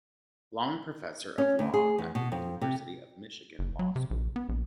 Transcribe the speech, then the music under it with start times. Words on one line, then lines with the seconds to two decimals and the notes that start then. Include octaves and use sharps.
Long Professor of Law at the University of Michigan Law School.
1.38 C#4
1.59 D2
1.74 G#4
1.98 E2
2.15 B2
2.32 F2
2.61 C3
3.59 F#1
3.79 F#3
3.96 C3
4.11 A#1
4.36 B3
4.49 A#1